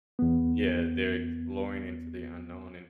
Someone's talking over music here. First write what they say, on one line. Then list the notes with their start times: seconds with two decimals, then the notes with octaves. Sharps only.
Yeah, they're exploring into the unknown in
0.19 E2 B3